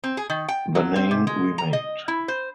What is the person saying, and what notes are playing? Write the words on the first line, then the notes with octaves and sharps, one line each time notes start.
The name remained.
C4
G#4
D#3
G5
F#3
C4
C3
G#3
A#5
D#5
E4
C5